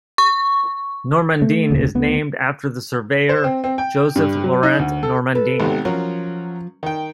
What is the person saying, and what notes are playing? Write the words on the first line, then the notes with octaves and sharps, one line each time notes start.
Normandin is named after the surveyor Joseph-Laurent Normandin.
C#6
A3
E1 D2 A#2 C#3
D2 B3
C5
C4
C4
G5
G2
F#3
D#4
D2
A4
A4 B4
G#1 C3 B3
F3 F#3 C#4 A#4
D#3 G5